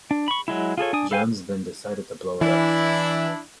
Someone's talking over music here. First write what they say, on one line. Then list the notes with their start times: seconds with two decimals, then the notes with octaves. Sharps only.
Jones then decided to blow it up.
0.11 D4
0.28 B5 C#6
0.48 F#3 G#3 E4
0.78 F4 G#4 A4 C#5
0.93 D4 G#5 D#6
1.11 A4 B4 F5 G5 G#5
2.41 E3 D4 E4